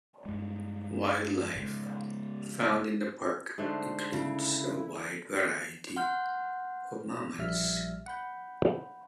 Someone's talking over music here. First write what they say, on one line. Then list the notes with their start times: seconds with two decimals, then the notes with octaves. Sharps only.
Wildlife found in the park includes a wide variety of mammals.
0.25 G2 G#3
1.56 G#2 C#3 G#3
3.58 G#2 D3 A3 C5
4.13 C#3 E4
5.96 F#5 C6 F6 G6
7.38 A#1 G3 E5 F6
8.06 F#5 B5 G6